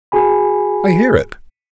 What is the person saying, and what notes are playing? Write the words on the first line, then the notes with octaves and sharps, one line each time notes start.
I hear it.
F#4 G#4 G#5 B5